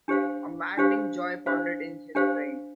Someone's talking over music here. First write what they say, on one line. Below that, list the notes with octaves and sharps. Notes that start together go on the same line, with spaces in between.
A maddening joy pounded in his brain.
D4 G4 C5 F5
D4 G4 C5 F5
D4 G4 C5 F5
D4 G4 C5 F5